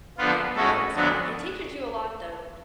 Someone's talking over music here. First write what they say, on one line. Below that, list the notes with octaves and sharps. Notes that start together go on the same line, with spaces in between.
yeah, no, it's not it teaches you a lot, though.
D3 F3 B3 F4
A2 G#3 C#4 F#4 A4
F2 D3 F#3 B3 D4